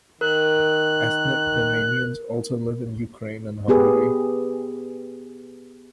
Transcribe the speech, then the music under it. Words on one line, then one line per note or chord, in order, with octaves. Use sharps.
Ethnic Romanians also live in Ukraine and Hungary.
D#3 A#4 F#6
B3 G4 G#4 B4